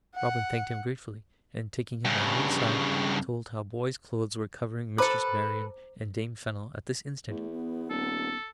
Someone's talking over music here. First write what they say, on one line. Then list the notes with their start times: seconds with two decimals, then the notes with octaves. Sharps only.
Robin thanked him gratefully, and, taking him on one side, told how boy's clothes were covering Mistress Marian and Dame Fennel at this instant.
0.16 F#5
2.05 G2 C#3
4.98 A4 B4 C5 A#5 D6
7.29 E2 A3
7.50 B3
7.90 D#1 A4